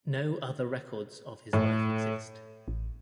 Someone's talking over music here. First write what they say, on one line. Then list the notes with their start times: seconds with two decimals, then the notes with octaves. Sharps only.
No other records of his life exist.
1.53 A2
2.68 A1